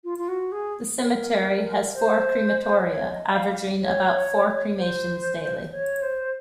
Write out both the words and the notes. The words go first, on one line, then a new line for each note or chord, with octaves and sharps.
The cemetery has four crematoria averaging about four cremations daily.
F4
F4
F#4
G#4
A#4
C5
C#5
D#5
F5
C#5
C5
C#5
C5